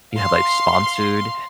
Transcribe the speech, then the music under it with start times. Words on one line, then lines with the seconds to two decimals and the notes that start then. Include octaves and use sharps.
you have, like, sponsored,
0.13 F5 C6